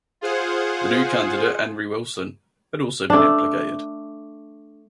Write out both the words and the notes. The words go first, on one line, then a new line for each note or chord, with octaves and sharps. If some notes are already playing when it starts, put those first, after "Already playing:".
The new candidate, Henry Wilson, had also been implicated.
F4 G#4 C5 F#5 G#5
A3 D4